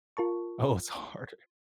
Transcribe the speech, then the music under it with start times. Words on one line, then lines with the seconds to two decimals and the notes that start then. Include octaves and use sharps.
Oh, it's harder.
0.17 F4 A#4 A5 C#6